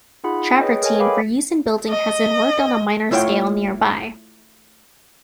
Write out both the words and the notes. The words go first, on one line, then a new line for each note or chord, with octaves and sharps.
Travertine for use in building has been worked on a minor scale nearby.
D#4 F4 G#4 F#5 B5
G#4 B4 C#5 D#5 G5
G#4 A#4 C#5 D#5 G#5
A4 B4 F5 G5 B5 D6
D#5
A3 E4 F4 C#5 F#5 G5